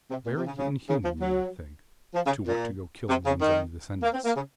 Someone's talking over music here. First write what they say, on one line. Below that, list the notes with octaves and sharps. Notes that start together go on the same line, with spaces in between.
Very inhuman, you may think, to want to go killing one's own descendants!
C3
A#2
C3
C#3
C#3
C#3
F3
F#3
F3
C#3
A#2
C3
C#3
D#3
A#3
C4
A#3
C#3